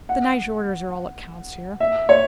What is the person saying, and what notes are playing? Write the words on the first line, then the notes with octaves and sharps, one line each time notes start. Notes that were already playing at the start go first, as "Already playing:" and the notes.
The Nyjorders are all that counts here.
F#5
E5
C#5